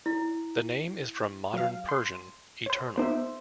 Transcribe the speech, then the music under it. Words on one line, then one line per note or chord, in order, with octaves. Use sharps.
The name is from Modern Persian "eternal".
E4
F#3 F5
C6
C5 C#5
B3 D#4 C5 E5